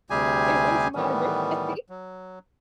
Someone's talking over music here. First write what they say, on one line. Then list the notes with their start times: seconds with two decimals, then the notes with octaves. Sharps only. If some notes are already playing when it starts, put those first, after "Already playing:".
It was my birthday.
0.10 D2 C3 G3 G4 G#4 G#5
0.96 A2 D#3 E3 G3 B3
1.90 F#3